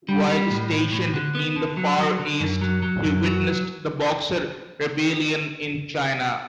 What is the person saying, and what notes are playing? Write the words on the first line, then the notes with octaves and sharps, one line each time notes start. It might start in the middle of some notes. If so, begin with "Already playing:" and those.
While stationed in the Far East, he witnessed the Boxer Rebellion in China.
G3
G3
A2
A2
A2
D3
B3
D3
F#3
F#3
D3
F#2
F#3
F#3
F#2
F#3